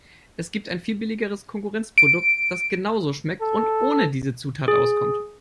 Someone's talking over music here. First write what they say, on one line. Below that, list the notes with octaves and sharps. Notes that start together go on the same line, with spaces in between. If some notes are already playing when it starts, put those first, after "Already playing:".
Es gibt ein viel billigeres Konkurrenzprodukt, das genauso schmeckt und ohne diese Zutat auskommt.
D7
A4
G#4